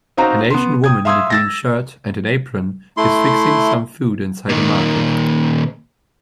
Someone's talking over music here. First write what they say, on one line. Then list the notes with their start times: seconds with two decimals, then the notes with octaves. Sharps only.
An asian woman in a green shirt and an apron is fixing some food inside a market.
0.17 C4 D#4 F#4 C5 F5 A#5
0.50 B3 C6
0.84 G5 D#6 G#6
1.05 E5 F5 C6 D#6 E6 G#6
1.30 E6 A6 A#6
2.97 A3 E4 C6
4.49 A#2 D#3